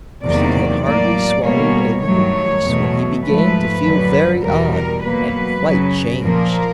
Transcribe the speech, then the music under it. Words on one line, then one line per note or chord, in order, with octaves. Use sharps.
But he had hardly swallowed a little piece, when he began to feel very odd, and quite changed.
E2 C3 D#3 F#3 A#3 D5
A2 F#3 A#3 D5
B2 G3 A#3 C#5
G2 D#3 F#3 A3 C#5
E2 B2 F#3 A3
G#2 F3 A3 B4
F#2 D3 F#3
E2 B2 G3 A#4
A#4
B2 F#3 A#3 B4
F#2 C#3 F#3
A#2 F3 A#3 A#4